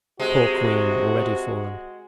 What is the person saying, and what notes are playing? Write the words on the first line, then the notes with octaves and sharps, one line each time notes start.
Poor queen, already fallen!
C3 G#3 F#4